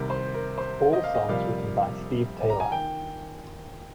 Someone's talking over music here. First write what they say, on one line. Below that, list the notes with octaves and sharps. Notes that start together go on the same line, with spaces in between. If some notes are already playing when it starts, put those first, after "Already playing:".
All Songs Written by Steve Taylor.
Already playing: C2 C3 D#3 A#4
C5
A#4
C5
D#5
F5
D#5
F2 C3 G3 A#3 F5
A#5
G#5
D#3 G5